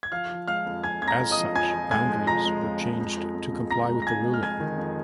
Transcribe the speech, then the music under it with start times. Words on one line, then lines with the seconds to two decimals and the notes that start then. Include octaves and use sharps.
As such, boundaries were changed to comply with the ruling.
0.03 G#6
0.12 F3 F5 F6
0.31 F3
0.48 G#3 F5 F6
0.66 F2
0.84 F2 G#5 G#6
1.02 F2 G#6
1.08 A#5 A#6
1.19 F2
1.31 D#5 D#6
1.37 F3
1.55 F2 G#5 G#6
1.74 F3
1.91 G#3 G#5 G#6
2.09 F2
2.27 F3 A#5 A#6
2.46 G#3
2.63 F2
2.81 G#3
3.00 F2
3.17 F2
3.35 G#3
3.53 F2
3.71 F2 A#5 A#6
3.89 G#3
4.02 A#6
4.06 G#3 G#5 G#6
4.25 G#3
4.34 F6
4.42 F2 G#5 G#6
4.60 D#3
4.78 F2